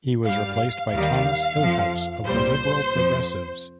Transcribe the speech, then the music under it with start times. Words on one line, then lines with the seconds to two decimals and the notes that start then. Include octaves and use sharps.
He was replaced by Thomas Hillhouse of the Liberal-Progressives.
0.25 G2 G3 F5
0.92 D#2 D#3 G3 F5
1.59 F2 F3
2.26 C2 A#2 G3 C5
2.93 F2 F3